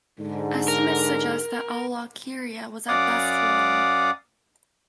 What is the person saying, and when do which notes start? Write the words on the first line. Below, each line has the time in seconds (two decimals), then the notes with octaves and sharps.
Estimates suggest that "Alwalkeria" was at best long.
0.20 G#2 D3
0.68 A#4
2.88 F#2 D5 F5 F#5 D6 D#6